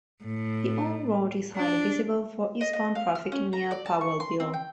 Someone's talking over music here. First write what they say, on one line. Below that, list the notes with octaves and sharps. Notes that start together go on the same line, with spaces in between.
The old road is highly visible for eastbound traffic near Powellville.
A2
D4
D#5
D#5
F5
F6
C#4
A#5
D5
A5
C#6
C6
C4
G5